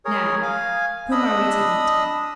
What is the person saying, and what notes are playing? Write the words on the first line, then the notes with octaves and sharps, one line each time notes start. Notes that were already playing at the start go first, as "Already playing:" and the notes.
"Now, whom are we to eat?"
G#4 A#4 C#5
F5 G#5
D4 D#5 B5 D#6 E6